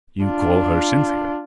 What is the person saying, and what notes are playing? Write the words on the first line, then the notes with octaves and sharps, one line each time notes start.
"You call her Cynthia?"
D4 F4